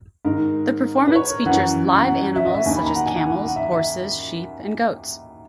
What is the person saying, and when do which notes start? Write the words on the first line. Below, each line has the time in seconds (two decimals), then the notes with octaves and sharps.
The performance features live animals, such as camels, horses, sheep, and goats.
0.25 G#2 D#3 A#4
1.08 B4
1.15 C#5
1.30 A#4
1.46 F#2 E3 F#5
2.06 F#5
2.36 E5
2.45 D#5
2.54 E5
2.66 D#2 D#3 G#5
2.76 B5
2.86 A#5
2.96 F#5
3.06 G#5
3.16 F#5
3.26 F#5
3.47 F#5
3.56 E5
3.72 E5